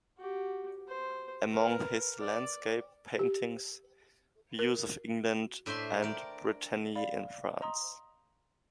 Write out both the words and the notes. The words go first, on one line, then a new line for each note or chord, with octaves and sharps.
Among his landscape paintings - views of England and Brittany in France.
F#4 G4
C5
A#4 B4
D5
G4
A#4
A2 D4 C5 E5 C6
A#4 D5 G5
D5 F5 B5
D#5 A#5 C6 D#6